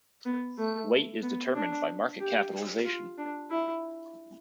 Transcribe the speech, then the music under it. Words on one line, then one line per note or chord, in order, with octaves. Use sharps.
Weight is determined by market capitalization.
B3
A3
B3
D4
G4
F4
D4
E4